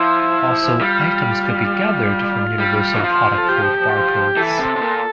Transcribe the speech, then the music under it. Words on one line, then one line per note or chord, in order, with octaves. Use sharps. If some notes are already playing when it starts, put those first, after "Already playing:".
Also items could be gathered from Universal Product Code barcodes.
Already playing: F3 E4
G3 F4
G3
E3
F3
A4
G4
E3 A4
C3
C3
A#2